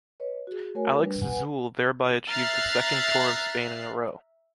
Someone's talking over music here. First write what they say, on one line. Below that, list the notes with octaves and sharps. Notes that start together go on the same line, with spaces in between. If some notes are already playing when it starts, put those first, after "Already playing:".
Alex Zülle thereby achieved his second Tour of Spain in a row.
B4 C#5 D#5
F#4 G#4
A3 F#4 A#4 C#5 G#5
G3 D4 B4
B4 F#5 G#5
E5 A#5 F6 F#6 A6 C7